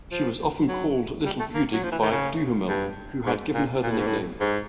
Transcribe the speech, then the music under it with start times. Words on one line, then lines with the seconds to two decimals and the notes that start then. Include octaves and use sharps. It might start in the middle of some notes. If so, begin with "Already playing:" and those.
She was often called "Little Budig" by Duhamel, who had given her the nickname.
0.12 F3
0.68 F#3
1.26 G3
1.40 A3
1.54 A#3
1.73 F#3
1.84 F3
1.92 E3
2.02 D#3
2.11 C#3
2.69 G2
3.26 G#2
3.55 A#2
3.83 A#2
3.91 A2
3.99 G#2
4.07 A2
4.40 G#2